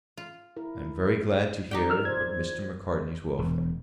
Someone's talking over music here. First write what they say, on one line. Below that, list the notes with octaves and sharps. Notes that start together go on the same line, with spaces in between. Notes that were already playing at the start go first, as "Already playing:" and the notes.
I am very glad to hear of Mr. Macartney's welfare.
F4
E4 A#4
D#4 G4 D5 G5
F3 A#4 E6 F6
C5 D5 G#6
E1